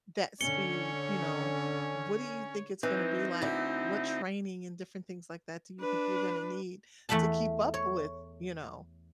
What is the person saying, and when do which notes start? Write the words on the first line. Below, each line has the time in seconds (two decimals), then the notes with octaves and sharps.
that speed, you know, what do you think it's gonna be like? What training and different things like that do you think you're gonna need to keep up with, you know,
0.41 D3 C#4 C#5 C#7 G7
2.83 E3 C4 D#4
3.42 D2 E4
5.80 D4 B4
7.09 E2 A3 E5 F#5 A5
7.74 C#5